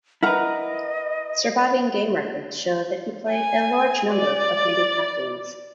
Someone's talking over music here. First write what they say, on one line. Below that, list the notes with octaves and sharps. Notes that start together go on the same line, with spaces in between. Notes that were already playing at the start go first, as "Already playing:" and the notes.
Surviving game records show that he played a large number of handicap games.
E4 A#4 B4 D#5 F#5 A#5
G#5
D5